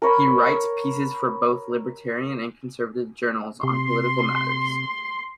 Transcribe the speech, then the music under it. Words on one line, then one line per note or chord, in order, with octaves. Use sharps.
He writes pieces for both libertarian and conservative journals on political matters.
A#4 C#5 B5
C3 C6